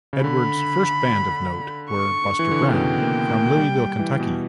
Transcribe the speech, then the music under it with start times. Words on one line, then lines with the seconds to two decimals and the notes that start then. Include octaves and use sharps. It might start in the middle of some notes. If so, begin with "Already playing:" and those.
Edwards' first band of note were Buster Brown from Louisville, Kentucky.
0.13 C#3
0.23 D3 B5
1.90 C#6
2.39 E3
2.51 D3
2.62 C#3
2.74 B2 G5
3.02 A#3
3.30 A#3
3.57 G3
3.78 G3
3.99 E3
4.20 B2